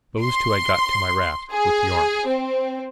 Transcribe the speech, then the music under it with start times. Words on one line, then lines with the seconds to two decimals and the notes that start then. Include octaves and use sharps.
Those two I got to my raft, with the arms.
0.22 C6
1.51 G#4
2.26 C4